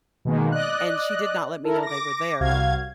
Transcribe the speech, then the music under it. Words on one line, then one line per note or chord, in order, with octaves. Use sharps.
and she did not let me know they were there,
B2 D#3 G#3 A#3
D5 D#5 F#6
E4 A4 A#4
D6 A#6
C2 F#4 F5 G#6